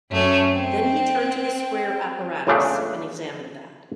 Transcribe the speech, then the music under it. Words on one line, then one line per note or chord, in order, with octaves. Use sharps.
Then he turned to the square apparatus and examined that.
F#2 A3 C#4
C4
G1 A#2 C#3 A3 D4